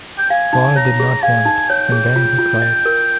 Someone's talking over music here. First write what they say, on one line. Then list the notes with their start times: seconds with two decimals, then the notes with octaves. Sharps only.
Paul did not want and then he cried.
0.18 G5
0.30 F5 G#5
0.53 D#4
0.76 C#5 A#5
1.00 G#4
1.23 F5 G#5
1.46 D#4
1.69 C#5 G5
1.92 G#4
2.16 F4
2.39 F4
2.62 D#5
2.86 A#4